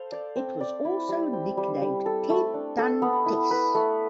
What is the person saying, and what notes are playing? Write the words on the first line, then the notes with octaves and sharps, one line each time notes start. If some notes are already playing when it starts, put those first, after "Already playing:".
It was also nicknamed "Ten ton Tess".
Already playing: A4 C5 F5
D5
C4
D5
E4
G3
C4
G3
G3
A4
A3
D4
A4
B3
E4
B4
A3